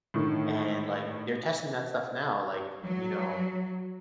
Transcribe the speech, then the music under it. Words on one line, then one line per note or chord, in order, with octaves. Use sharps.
and, like, they're testing that stuff now, like, you know,
A2 D3 D#3
F#3